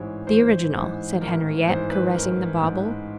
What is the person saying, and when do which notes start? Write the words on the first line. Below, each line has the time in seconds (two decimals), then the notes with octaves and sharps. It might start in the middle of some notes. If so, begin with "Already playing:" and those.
"The original," said Henriette, caressing the bauble.
Already playing: A1 G#2 E3 C5 C#5
0.27 A1 C5
0.74 G#2 E3
1.21 A1 A#4
1.67 G#2 E3 C5
1.90 B4
2.14 A1 A#4
2.61 G#2 E3